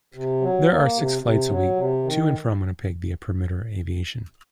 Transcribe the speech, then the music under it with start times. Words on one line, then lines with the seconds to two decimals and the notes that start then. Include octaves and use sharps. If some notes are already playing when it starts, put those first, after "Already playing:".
There are six flights a week to and from Winnipeg via Perimeter Aviation.
0.14 C3
0.41 F#3
0.68 A#3
0.96 C3
1.22 C3
1.49 F#3
1.76 C3
2.04 D#3